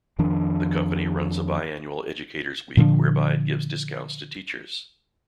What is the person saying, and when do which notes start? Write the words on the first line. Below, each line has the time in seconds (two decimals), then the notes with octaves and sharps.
The company runs a bi-annual educator's week whereby it gives discounts to teachers.
0.19 F2 D#3 F3 D4
2.77 A#2 D3 F3 D4